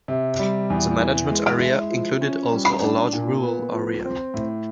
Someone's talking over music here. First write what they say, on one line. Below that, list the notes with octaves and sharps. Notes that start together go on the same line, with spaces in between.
The management area included also a large rural area.
C3
G3
E2
E3
G#3
E4
F3
C#4
G3
D4
A#2
B3
F3
C4
A2